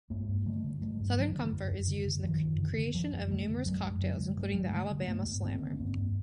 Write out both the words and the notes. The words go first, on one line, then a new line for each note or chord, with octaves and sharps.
Southern Comfort is used in the creation of numerous cocktails, including the Alabama Slammer.
G2 G#3 A#3
G2
D3 G3 A3
D3
G2 G3 A3
G2
G3
D3 E3 F#3
D3
F#2
F#2
D3
D3
F#2 D#3 F3
F#2
D3
D3
F#2 F3 G3
F#2
D3 G3 A3
D3
F#2 F#3 G#3
F#2
D3 F#3 G#3
D3
G2 G3 A3
G2 F#3 G#3
D3 G3 A3
D3
A#3
G2 A3 B3
G2
D3 A#3 C4
D3
C#4
G2 A#3 C4
G2